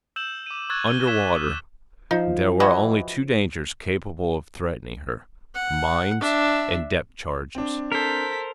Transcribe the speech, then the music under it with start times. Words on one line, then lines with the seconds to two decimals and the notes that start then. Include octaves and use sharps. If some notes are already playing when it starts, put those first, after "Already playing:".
Under water there were only two dangers capable of threatening her--mines and depth-charges.
0.16 E6 G6 E7 F#7
0.46 D6 D#7
0.70 C#6 E6 F#6 G#6 A6
0.86 D#7 G7
1.07 E6 G#6 B6 E7
2.11 F3 D#4
2.60 E3 F#4 D#5
5.55 F#5
6.20 D4 E5
7.55 C4 D4
7.92 A4 A#4 C5 B6